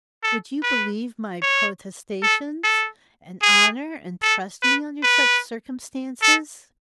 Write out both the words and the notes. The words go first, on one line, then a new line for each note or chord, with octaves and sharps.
Would you believe my protestations, and honour and trust me under such circumstances?'
A4
B4
C#5
A4
A4
G#4
A4
B4
B4
A4